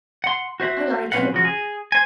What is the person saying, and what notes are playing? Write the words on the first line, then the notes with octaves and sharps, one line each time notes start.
I like him.
F#5 C6
F#4 C5 E5 F#5
B1 C4 C#4 B4 F5 F#5
C#3 F3 F#4
G#4
C5 G#5